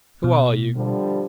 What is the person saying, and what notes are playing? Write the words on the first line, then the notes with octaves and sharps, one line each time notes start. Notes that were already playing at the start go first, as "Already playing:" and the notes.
"Who are you?"
B2
D3 F3 G3